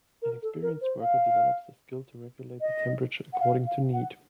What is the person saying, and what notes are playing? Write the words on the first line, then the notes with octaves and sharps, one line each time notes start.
An experienced worker develops the skill to regulate the temperature according to need.
A#4
A4
A#4
C5
F5
D#5
F#5
F5
F5
F#5